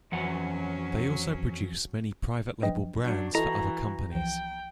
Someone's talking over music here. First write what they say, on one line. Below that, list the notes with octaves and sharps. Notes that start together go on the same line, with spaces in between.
They also produce many private label brands for other companies.
F2 E3 F#3 C#4 F#5
F3 F#3 D4 B4 D#5 G5
F#3 D4 G6 C#7
E3 E4 F#4 A4 D#5 A5 A#5
C2 E3 F3 G5